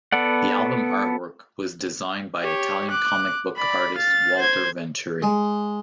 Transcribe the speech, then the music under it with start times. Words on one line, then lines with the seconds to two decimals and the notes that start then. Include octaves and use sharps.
The album artwork was designed by Italian comic book artist Walter Venturi.
0.12 B3 A4 D5 F#5
2.41 G4 C#5
2.90 D6 F#6
3.56 D5 B5
3.96 F5 A6
4.38 C5 G#6
5.22 G#3